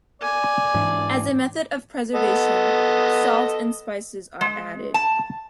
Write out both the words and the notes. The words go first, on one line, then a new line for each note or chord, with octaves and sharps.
As a method of preservation, salt and spices are added.
D5 G#5
G#2 E3 D4
B3 A4 D#5
G#3
A5